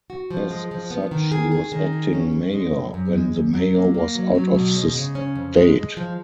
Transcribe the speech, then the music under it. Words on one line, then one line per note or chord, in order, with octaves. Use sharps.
As such he was acting mayor when the mayor was out of the state.
F#4
F3
G#3
F3
B3
D#3
G#4
G#4
D#3
G#4
C#4
F#2
G#3
F#2
F#2
G#3
F#2
F#3
A#3
A#3
F#3
F#3
B2
G#3
C#3
C#4
F2
G#3
G#3
F3